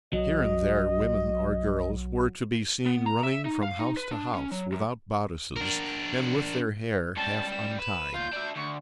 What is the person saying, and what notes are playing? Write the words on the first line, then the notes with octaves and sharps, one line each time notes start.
Here and there women or girls were to be seen running from house to house without bodices, and with their hair half untied.
B1 F#3 D#5
B3
A#5
E5
D#4
F5
D#4
B4
D4
C#4
F#3
F#2
D4 A#4
C#2 G3 A5
E7
B4 E7
D#2 F4 G6
D4 E5
D2 C#6